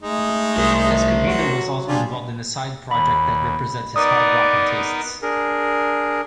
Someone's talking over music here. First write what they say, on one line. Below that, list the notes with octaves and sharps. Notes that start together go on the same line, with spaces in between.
Escovedo was also involved in a side project that represents his hard-rocking tastes.
G#3 A3 D#4
C2 A#4 C5
F#3 F#4
G3 D4 F4 G#4
D#2 B5
B3 D#4 A#4 D5 D#6
D4 G#4 A#4